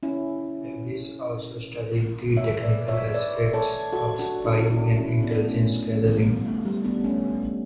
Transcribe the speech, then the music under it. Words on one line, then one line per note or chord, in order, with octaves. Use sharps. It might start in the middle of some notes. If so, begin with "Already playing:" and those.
Abbes also studied the technical aspects of spying and intelligence gathering.
C#4 E4
C#5 E5
B4 D5
C#5 E5
B4 D5
A4 C#5
F#4 A4
D4 F#4
C#4 E4
D4 F#4
C#4 E4
B3 D4
A3 C#4
A3 C#4
G3 B3
A3
G3
B3 D4
A3 C#4